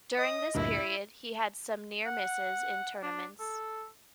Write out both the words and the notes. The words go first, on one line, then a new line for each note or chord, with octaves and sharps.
During this period he had some near-misses in tournaments.
D#5 D#6
D2 G2 A#2 E4
F#5
D4
A4